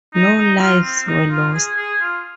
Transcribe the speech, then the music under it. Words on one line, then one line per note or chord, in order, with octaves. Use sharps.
No lives were lost.
D#4
D#4
F4
C4
D#4
F4
G#4
G#4
F4